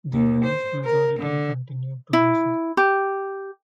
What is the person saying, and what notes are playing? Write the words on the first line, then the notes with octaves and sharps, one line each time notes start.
The vast majority continued to do so.
D#2
C5
A#4
D3
E4
G4